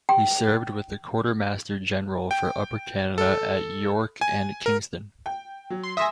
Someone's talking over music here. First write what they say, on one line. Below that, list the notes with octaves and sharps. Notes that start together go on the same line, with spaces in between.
He served with the Quartermaster-General for Upper Canada at York and Kingston.
G5
G5
A4
G#5
A#4
G5
F#3
C6
E5 G#5 C6 D#6 A#6